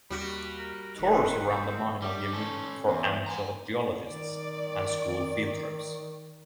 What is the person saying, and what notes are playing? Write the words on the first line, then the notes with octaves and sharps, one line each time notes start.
Tours around the mine are given for amateur geologists and school field trips.
D#2 G3 F#4 B5
A#4
E1 D#3 B4
C4
G3
C#4 A4
E2
G#5 A#5
D#3 D5